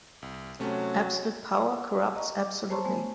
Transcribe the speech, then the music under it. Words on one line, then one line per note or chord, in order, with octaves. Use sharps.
Absolute power corrupts absolutely.
C2
C3 F#3 A3 C#4
D#5 A#5 C#6
D6
C5 C#5 A5 A#5 C6 C#6
A3 B3 C5 G#5